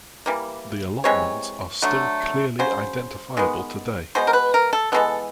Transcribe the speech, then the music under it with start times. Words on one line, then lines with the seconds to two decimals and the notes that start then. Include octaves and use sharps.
The allotments are still clearly identifiable today.
0.26 E3 G3 A#3
1.04 C3 E3 G#3 C#5
1.82 D3 F#3 A3
2.59 C#3 F#3 C5
3.37 D#3 G#3 B3
4.15 B2 G#3 B3 C5
4.27 A#4
4.33 B4
4.54 A#4
4.73 A4
4.92 E3 G#3 B3 A4